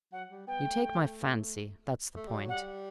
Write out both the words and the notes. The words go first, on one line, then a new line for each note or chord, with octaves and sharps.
You take my fancy; that's the point!
F#3 F#5
G3
B3 G5
A3
A3
G3
F#3
G3 F#5